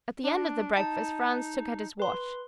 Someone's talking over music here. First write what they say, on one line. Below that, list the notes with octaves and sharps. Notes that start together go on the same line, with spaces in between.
At the end of the breakfast Franz took out his watch.
D4
D#4 A5
B4 C6